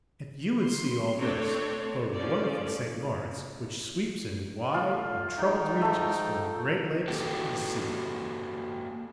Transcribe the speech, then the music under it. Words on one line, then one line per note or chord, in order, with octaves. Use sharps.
If you would see all this, go to the wonderful St. Lawrence, which sweeps in wide and troubled reaches from the Great Lakes to the sea.
C6
A3 C4 D4 C#5
F3 C#4 A4 D5
A3 F4
G#2 D#4 G5
A3
A#3 F#4 G4 A4 B4